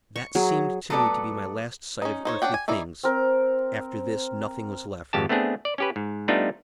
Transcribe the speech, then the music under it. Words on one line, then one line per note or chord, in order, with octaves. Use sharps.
That seemed to me to be my last sight of earthly things. After this nothing was left.
C#6
F#3 G#4
F#3 A3 B3 A4 D5
C#4 D#4
D#4 C5 C#5
C#4 D4 G4 F#5 G5
G#5
E3 D#4 E4 D5
C4 A#4
G#1 F2 G4 A5
A3 B3 C4 D4 G#4
D5
C#4 G4 B4
G#2
G3 A3 B3 D4 D#4 F4